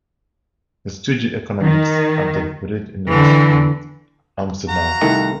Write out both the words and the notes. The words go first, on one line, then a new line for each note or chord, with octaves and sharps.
He studied economics at the Vrije Universiteit Amsterdam.
D#3
D3 E3
F#4 F5 A#5
C2 D#3 A3